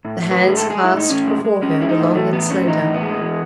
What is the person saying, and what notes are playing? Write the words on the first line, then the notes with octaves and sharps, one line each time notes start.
The hands clasped before her were long and slender.
A2
A2
B4
A2
G#4
G#3 A4
G#3 G#4
E4
A2 D#4
A2 C#4
G#3
G#3
G#3 C#4
G#3 E4
D#4
A2
E3 A3
A2 B3
A2 C#4
E3 D#4
A2
B3
G#3
E3